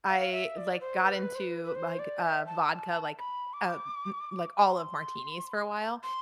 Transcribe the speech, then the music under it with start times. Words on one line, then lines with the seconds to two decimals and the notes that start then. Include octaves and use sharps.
I, like, got into, like, uh, vodka, like, uh, m like, olive martinis for a while,
0.09 F5
0.32 E5
0.57 D5
0.81 C5
1.04 B4
1.35 C5
1.40 B4
1.64 B4
1.75 C5
1.99 D5
2.23 E5
2.46 A5
3.18 B5
3.53 D6
4.61 C6
6.03 C6